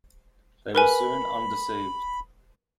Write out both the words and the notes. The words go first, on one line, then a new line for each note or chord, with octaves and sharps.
They were soon undeceived.
A#4 B4 G#5 B5